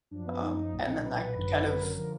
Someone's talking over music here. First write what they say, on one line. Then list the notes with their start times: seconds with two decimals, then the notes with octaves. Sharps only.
um, and then that could kind of
0.11 F#2 F3 D4
0.26 B3
0.42 D#4
0.72 B1 A#2 F#3
1.04 B4
1.34 G#1 F#2 D3 F#3
1.65 B4
1.80 A#4
1.96 D3 F3 A#4